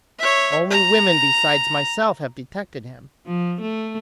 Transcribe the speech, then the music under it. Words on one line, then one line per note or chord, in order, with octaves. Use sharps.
Only women besides myself have detected him.
C#5 E5
A#5
F3
A3